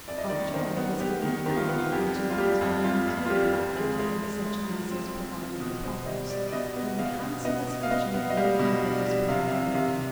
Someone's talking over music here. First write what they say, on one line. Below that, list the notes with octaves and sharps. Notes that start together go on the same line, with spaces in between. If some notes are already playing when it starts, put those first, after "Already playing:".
Aunt Joanna was given an elm, and not a mean deal board coffin, such as is provided for paupers; and a handsome escutcheon of white metal was put on the lid.
F2 D5
D#5
D#3 D5
D#3 C5
B3
B3 G4
D#3
D#3 G4
F4
B3
F4
F2 G4
G3
F4
G3 G4
F2
F2 F4
F2
F4
G3 G4
F2
G#3 G#4
G#3
G#3
G#3
F3
C4
C4
F3
B2
B2 C5
G3 D#5
G3 D5
D5
B2 D#5
B3
B2 F5
B2
B3 D#5
B2
F5
B3 D#5
B3
D#5
G3 F5
B2
D4
G3
C3 F5
F5
C3
C3 F5